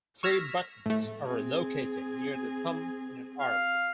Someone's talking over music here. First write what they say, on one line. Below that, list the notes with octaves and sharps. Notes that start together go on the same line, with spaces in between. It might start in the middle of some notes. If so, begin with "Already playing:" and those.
Three buttons are located near the thumb in an arc.
C#6 E6 F6 G#6 A#6 B6
A2 A3
C4 G#4
F5